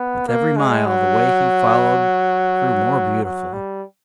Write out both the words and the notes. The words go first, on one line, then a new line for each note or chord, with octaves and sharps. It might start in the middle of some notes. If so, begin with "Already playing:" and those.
With every mile the way he followed grew more beautiful.
Already playing: B3
A#3
G#3
F#3
F#3
G3